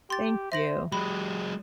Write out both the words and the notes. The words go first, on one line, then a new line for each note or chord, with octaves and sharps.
Thank you.
G4 C6 A6
C5 E5 A#6 F#7
F#3 G#3 G4 B5